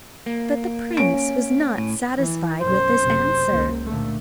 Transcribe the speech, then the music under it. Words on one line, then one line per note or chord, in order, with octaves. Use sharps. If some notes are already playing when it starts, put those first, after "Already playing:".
But the prince was not satisfied with this answer.
A#3
C#4 D7
A2
E3
B1 F#2 C5
F#1 C3
C#2 A#3
A#2 D3 A3